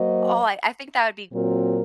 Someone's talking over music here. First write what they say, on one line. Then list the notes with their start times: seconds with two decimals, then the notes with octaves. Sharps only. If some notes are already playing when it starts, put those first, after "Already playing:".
Oh, I I think that would be
Already playing: F#3 A#3 F#4 C5 D#5
1.33 A#2 F#3 C4 F#4 A#4